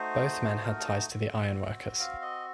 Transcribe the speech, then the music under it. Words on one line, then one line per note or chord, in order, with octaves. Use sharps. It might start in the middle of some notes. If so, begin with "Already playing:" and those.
Both men had ties to the Ironworkers.
Already playing: A3 D#4 F#4 C5
A#4
A4
F#4
C4 F#4
F5
D#5